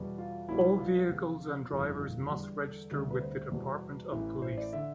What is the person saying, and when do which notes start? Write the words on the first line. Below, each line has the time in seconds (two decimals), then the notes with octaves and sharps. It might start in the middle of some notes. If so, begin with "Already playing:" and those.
All vehicles and drivers must register with the Department of Police.
Already playing: E2 B2 G3
0.18 F4
0.48 B1 B2 G3 E4
0.79 F4
1.09 E2 C3 F3
1.70 G1 F2 E3 G3 F4
1.85 D4
2.00 F4
2.30 E2 D3 G3 G4
2.60 A4
2.91 D2 C3 G3
3.11 B4
3.22 C5
3.51 E2 B2 G3
4.12 A1 A2 E3
4.42 C5
4.57 D5
4.73 D3 E5